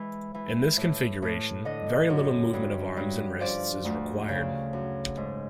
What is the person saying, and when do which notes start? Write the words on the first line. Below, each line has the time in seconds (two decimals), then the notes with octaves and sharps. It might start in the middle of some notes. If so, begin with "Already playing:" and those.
In this configuration, very little movement of arms and wrists is required.
Already playing: E3 G#3
0.34 E3
0.77 A2
1.22 A2
1.65 D3 D#5
2.10 F#2
2.54 G2
2.97 G2
3.40 F3 D5
3.85 D2
4.28 C#3
4.73 F#2
5.17 G#2